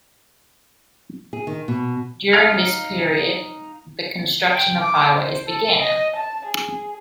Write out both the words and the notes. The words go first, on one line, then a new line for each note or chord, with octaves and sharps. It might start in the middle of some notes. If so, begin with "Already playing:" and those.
During this period, the construction of highways began.
G#4
D#3
B2
D#4 F5 A#5 F6
G5
D6
C5
A4
D#5
A5
G#4